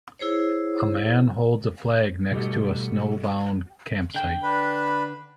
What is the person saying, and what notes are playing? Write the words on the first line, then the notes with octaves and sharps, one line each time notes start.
A man holds a flag next to a snowbound campsite.
E4 G#4 C5 C#5
B2 G3 A3 F#4 G4 D#5
D3 G5
D4 B4 B5